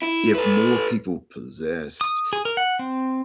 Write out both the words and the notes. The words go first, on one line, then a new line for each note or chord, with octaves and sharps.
if more people possessed,
E4
A4 B4
D#6
G#4
A#4
F#5
C4